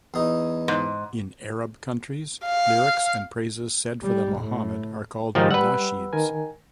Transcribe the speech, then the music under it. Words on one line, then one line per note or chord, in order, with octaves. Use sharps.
In Arab countries, lyrics and praises said for the Muhammad are called Nasheeds.
E2 D#4
G#2
F5
G3
A2
G#2 D#3 F3 G4 A6
G3 B4 F#5 E6
D#3 A#4 G#5